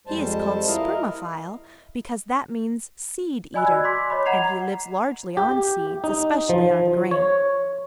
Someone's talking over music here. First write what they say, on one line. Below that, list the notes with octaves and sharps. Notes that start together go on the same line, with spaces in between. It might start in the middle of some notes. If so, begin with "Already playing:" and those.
He is called Spermophile because that means seed-eater, and he lives largely on seeds, especially on grain.
F2 G3 G#3 C5 A5
E4 A#4 D#5 F5
D5 D#5 G#5 B5 E6 F#6
F#4 G#6
C6 D6 B6
C#5 D#5 B5
F#5 A#5 G#6 C7 F7
G4
D#4
F3
C#5